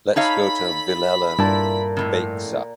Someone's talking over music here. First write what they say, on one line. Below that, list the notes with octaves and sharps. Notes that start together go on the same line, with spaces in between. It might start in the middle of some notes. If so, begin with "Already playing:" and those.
Let's go to la Vilella Baixa.
D#4 A4 C#5 F5 B5 B6
G2 A#2 E4 A5
F2 A2 C#3